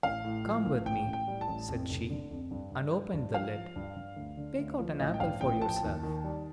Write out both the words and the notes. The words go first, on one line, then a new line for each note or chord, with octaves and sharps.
"Come with me," said she, and opened the lid; "pick out an apple for yourself."
A1 F5
A2
F3
A1
A1 G5
A1
G5
G3
A5
A1
F2
F1
D3
F2
G2
G2
G3
G2
F3 F5
F3
G2
G2
D2
D3
D2
F3
A1 D#5
G5
G2 F5
A1 G5
F3 A5
G5
A5
D#2
D#3
G3